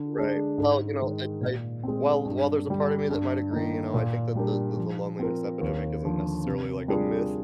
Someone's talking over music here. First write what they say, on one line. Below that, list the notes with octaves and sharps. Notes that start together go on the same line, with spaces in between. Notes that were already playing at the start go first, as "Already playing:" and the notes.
Right. Well, you know, I I while while there's a part of me that might agree, you know, I think that the the the loneliness epidemic isn't necessarily, like, a myth.
Already playing: D3
G#3 D4 G#4
G#2
D#3 G#3
A#2
G#3 C4
G2
D3 G3
G2
D#3 A#3 D#4
A#2
G3 D4 G4 A#4
F3
C4 F4 A#4
D#2
D3 F3
C3
G3 D4 F4 G#4